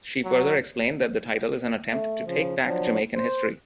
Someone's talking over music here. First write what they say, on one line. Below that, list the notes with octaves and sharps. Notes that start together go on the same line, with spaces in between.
She further explained that the title is an attempt to "take back" Jamaican history.
F#3
A3
C#3 F3
F3 F#3 D4
C5